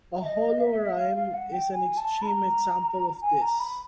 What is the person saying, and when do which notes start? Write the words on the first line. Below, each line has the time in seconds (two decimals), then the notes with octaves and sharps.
A holorime is an extreme example of this.
0.21 E5
0.25 D#5
0.58 F5
0.62 E5
0.96 F5
1.15 F5
1.33 F#5
1.52 G5
1.72 G#5
1.97 A5
2.22 B5
2.25 A#5
3.22 G#5
3.41 A#5
3.59 B5